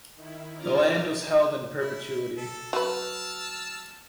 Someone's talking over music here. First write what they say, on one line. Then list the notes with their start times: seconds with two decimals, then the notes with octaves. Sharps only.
The land was held in perpetuity.
0.14 D#3 E4
0.56 C#4 F4 A#5 D6 F6 A6
1.80 E4
2.37 A4
2.73 F#3 B4 A5 E6 F6